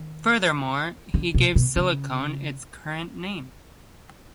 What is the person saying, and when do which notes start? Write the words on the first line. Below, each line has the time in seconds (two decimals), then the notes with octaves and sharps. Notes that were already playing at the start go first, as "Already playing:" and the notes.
Furthermore, he gave silicon its current name.
Already playing: D#3
1.14 D3
1.34 B2
1.56 B2
1.76 C#3